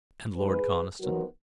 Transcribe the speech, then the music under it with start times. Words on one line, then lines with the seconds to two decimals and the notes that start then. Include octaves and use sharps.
"And Lord Conniston?"
0.37 G#2 D#3 G#3 G#4 B4
1.00 F2 D#3 F#3 B3 F#4 A#4